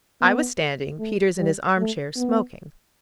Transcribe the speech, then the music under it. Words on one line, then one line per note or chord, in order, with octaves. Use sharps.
I was standing; Peters in his arm-chair, smoking.
B3
A3
G3
A3
B3